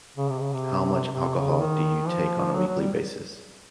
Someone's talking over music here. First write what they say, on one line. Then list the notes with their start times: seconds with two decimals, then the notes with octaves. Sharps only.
How much alcohol do you take on a weekly basis?
0.17 C#3
0.29 C3
0.41 C#3
0.53 C3
1.13 C3
1.37 C#3
1.61 D#3
2.08 F3
2.56 F#3
2.67 F#3
2.80 G3